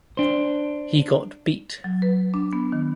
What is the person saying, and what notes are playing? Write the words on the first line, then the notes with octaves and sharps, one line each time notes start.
He got beat.
D4 C5
F#3
B4
D4
B3
D#3